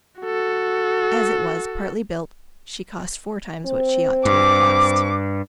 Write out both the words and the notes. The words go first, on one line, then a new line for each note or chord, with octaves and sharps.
As it was, partly built, she cost four times what she ought to have cost.
F#4 A4
C4
G2 D6